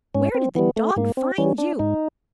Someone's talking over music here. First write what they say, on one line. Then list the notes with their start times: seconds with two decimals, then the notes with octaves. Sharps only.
"Where did the dog find you?"
0.15 G#2 C#4
0.34 C4
0.55 E3 G3 B3
0.76 A3
0.96 G#2 A#3
1.17 C4
1.38 E3 G3 C#4
1.58 D4
1.79 G#2 D#4